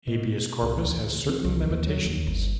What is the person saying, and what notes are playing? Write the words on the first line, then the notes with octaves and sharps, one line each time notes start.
"Habeas corpus" has certain limitations.
B2
C2
D2
C4
C2
D#2
F#3
D#2
G1